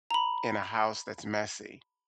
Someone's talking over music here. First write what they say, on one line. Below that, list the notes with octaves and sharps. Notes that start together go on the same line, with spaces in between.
in a house that's messy,
A#5 B5